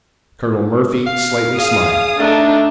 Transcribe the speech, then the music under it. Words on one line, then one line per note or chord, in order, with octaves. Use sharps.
Colonel Murphy slightly smiled.
F5
G#4 F5 D#6
A3 D4 D#4 A4